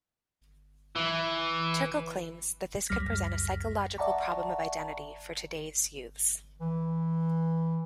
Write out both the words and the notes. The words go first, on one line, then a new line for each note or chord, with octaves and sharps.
Turkle claims that this could present a psychological problem of identity for today's youths.
E3
C#2 F#2 G3 F6 A#6 B6
D5 E5 F#5 A5 A#5 C#6
E3